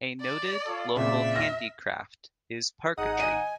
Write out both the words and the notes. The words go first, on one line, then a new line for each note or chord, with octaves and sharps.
A noted local handicraft is parquetry.
D5
F4 A4
A#2 C#3 C4 F4 D5 E5
F6 A#6
G#1 D#4 G#4 F#5 D#6
D#5 G#5 D#7